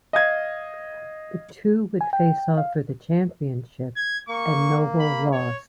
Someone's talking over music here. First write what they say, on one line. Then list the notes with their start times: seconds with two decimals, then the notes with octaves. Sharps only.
The two would face off for the Championship and Noble lost.
0.13 D#5 F5 G#6
2.01 G#5
2.13 G5
2.58 F5
3.96 G#6
4.28 A#3 C#6
4.99 B5
5.32 C#5